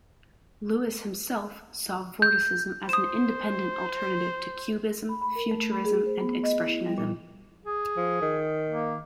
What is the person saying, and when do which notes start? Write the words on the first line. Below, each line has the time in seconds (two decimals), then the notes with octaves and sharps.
Lewis himself saw Vorticism as an independent alternative to Cubism, Futurism and Expressionism.
2.22 G6
2.89 C5 D#6 E7
5.09 B5
5.21 B5
5.35 A#4
5.51 A3
5.72 B5
5.85 G#4
6.06 C5
6.21 B3
6.43 D#5
6.64 E4
6.86 G3
6.98 A#2
7.66 G#4
7.97 F3
8.22 D#3
8.69 A#3